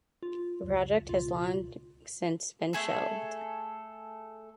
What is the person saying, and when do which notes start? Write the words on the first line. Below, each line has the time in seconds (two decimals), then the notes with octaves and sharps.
The project has long since been shelved.
0.23 F4
0.63 C#2 F#2
1.09 C#2 B2 F4
2.73 A3 G#4 A4